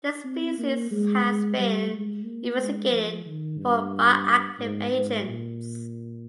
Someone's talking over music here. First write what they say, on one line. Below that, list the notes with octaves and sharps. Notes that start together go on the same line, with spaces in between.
The species has been investigated for bioactive agents.
C4
A#3
G#3
G#3
G3
G#3
A#3
G#3
F3
D#3
G2
G#2
G#2
A#2